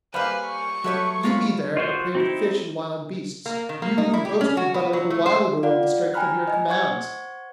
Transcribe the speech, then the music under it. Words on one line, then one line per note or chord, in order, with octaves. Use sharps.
You be there, a prey to fish and wild beasts, you who boasted but a little while ago of the strength of your command.
G3 A#3 B4 C5 F5 G#5
C#6
F#3 A3 F#4 G4 B4 C#5
G#2 G#3 F4 A#5 B5
F4 F#4 C5
C4 D#4 E4 F#4
A#3
D#3
A#3
D#4
E4
G4
C#4
F#4
B3
F#3
A3
C5
F4 D5 F5 F#5
G5 G#5 A#5 B5 F6 F#6
D#5 G#5
C5 F#5 C#6 G#6